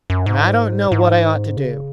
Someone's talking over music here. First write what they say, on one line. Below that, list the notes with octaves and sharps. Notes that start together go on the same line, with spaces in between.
And I don't know what I ought to do.
F#2
G#2
G#2
C#3